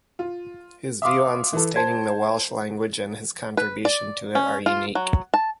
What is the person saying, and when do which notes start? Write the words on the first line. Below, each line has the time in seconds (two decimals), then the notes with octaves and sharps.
His view on sustaining the Welsh language and his contribution to it are unique.
0.19 F4
1.02 E5 F5 C6 D6 D#6
1.53 E3 A4
1.76 C5 A5 G#6
3.57 B4
3.85 D5
4.35 C#4
4.66 F4
4.95 F#3
5.34 A5